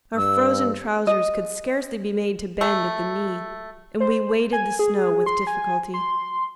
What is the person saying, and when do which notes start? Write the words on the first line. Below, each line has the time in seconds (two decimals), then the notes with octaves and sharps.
Our frozen trousers could scarcely be made to bend at the knee, and we waded the snow with difficulty.
0.16 G2 E6
1.07 D#5
2.61 A3
4.00 C5
4.53 G#5
4.79 G#4
5.26 C6
5.47 G#5
5.94 C6